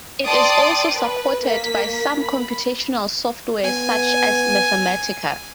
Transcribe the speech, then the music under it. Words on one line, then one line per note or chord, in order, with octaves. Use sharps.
It is also supported by some computational software such as Mathematica.
D5 G5 A5 C6 D#6 D7
B4
A#3 B6
B5
B3 G#5